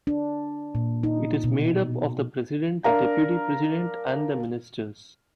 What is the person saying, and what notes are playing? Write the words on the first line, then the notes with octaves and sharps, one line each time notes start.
It is made up of the President, the Deputy President, and the Ministers.
D4
A#2
D#4
B2
D4 A#4 F5 A#5